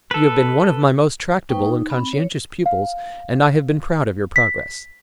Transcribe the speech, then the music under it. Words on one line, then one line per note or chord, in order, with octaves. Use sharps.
You have been one of my most tractable and conscientious pupils and I have been proud of your progress.
A4 B4
A#3 D#4 B4 C5 G5 C#6
D#4
C4 B5
C#5
F5
B6